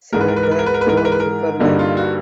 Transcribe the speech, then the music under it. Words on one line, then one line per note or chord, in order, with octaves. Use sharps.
Senator Joe Lieberman.
G#2 E3 G#3 A#4
B4
A#4
B4
A#4
B4
A#4
B4
A#4
B4
G#2 E3 G#3 A#4
B4
A#4
B4
A#4
G2 D3 G3 A#3 D#4 F#4
F4
F#4